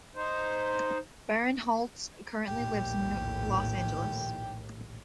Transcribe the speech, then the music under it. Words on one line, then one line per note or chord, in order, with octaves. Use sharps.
Barinholtz currently lives in Los Angeles.
D#4 C5
A#1 D#2 A2 G4